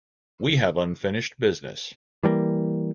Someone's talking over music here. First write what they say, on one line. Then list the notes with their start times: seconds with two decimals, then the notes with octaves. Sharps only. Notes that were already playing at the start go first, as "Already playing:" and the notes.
We have unfinished business.
2.23 E3 G3 A3 A#3